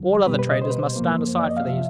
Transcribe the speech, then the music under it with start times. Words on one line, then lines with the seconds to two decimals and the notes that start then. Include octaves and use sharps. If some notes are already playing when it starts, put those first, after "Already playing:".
All other traders must stand aside for these.
Already playing: F#2 D3 F#3
0.26 B2 G3 B3 B4
0.39 B4
0.50 D#5
0.62 C5
0.70 B4
0.79 C5
0.96 F#2 C#3 F3 A#3
1.39 D5
1.49 D#5
1.57 F5
1.65 C3 F3 E5